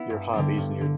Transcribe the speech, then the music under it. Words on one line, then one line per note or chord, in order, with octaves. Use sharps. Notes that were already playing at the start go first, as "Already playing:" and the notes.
your hobbies and your
Already playing: B3 E4
G2
D3 G3 D4
G2
D3